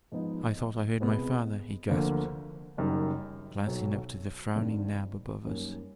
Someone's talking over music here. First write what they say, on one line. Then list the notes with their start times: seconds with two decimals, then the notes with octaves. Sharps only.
'I thought I heard my father,' he gasped, glancing up to the frowning nab above us.
0.12 G#2 F3 G#3 B3 D#4
1.00 C2 B2 G#3 B3
1.88 D2 D3 F3 A#3
2.77 F#1 F#2 D#3 G3
3.67 B1 B2 F#3
4.56 G#1 G2 D#3
5.45 F#2 D#3 G3 A#3 C#4